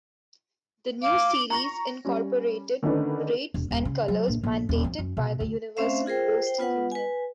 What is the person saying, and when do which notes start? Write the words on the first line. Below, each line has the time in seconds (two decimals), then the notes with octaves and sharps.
The new series incorporated rates and colors mandated by the Universal Postal Union.
1.03 F5 D6
1.50 A#5 C#6 A#6
2.05 G3 C#4
2.83 D3 D#3 A3 C#4 D4 B4
3.54 E1
3.71 D#1
3.85 C#3
4.08 F#3
4.28 A#1
4.43 A#1
4.69 D#1
4.84 F2
4.99 F#2
5.17 B2
5.40 D2
5.77 A3 C4 C#4 C5 E5 F5
6.06 F4 G#4 A#4 C5 G5
6.43 C5 G5
6.58 B3 F4 B4 F#5
6.92 B4 G#5